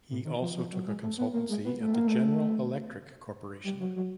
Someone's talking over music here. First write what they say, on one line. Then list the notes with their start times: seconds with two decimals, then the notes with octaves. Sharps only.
He also took a consultancy at the General Electric Corporation.
0.10 A2
0.25 D#3
0.41 F3
0.56 F3
0.72 F#3
0.87 G#3
1.02 A3
1.18 B3
1.33 A#3
1.49 G#3
1.65 B3
1.80 A3
1.94 A#3
2.07 A3
3.64 G3
3.80 F#3
3.96 F#3